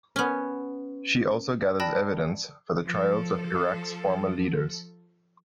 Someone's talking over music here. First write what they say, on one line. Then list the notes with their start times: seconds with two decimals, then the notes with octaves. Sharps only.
She also gathers evidence for the trials of Iraq's former leaders.
0.16 B3 C#4
1.80 D5 G5 A5 B5 F#6 A#6
2.84 F3 A4